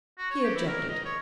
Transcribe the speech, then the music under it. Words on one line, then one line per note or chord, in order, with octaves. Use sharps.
He objected.
F#4
C#5
G4
E4
A#4
D#5
C#5